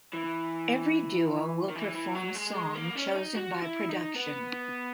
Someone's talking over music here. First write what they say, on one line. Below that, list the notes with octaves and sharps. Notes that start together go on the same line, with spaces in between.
Every duo will perform song chosen by production.
E3
D#3
E3
E3
F#3
G#3
G#3
A#3
C#4
D#4
F#4
E4
D#4
B3